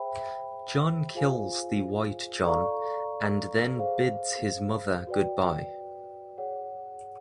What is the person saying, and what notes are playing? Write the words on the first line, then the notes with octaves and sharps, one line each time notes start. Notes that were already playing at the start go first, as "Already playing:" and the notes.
John kills the white John and then bids his mother goodbye.
Already playing: G#4 C5 E5 G5 B5
F4 G#4 C5 F5 G#5
A4 D5 F5 A#5 C#6
G#4 C5 F5
F#4 B4 D5 G5
G#4 C#5 F#5